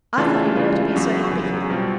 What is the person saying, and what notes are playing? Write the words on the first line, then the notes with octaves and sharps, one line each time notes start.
"I thought you were to be so happy here."
C#3 E3 A3 D4 F4
C#3 E3 A3 D4 F4
E2 C#3 F#3
E2 C#3 F#3
B2 G3 C4 F4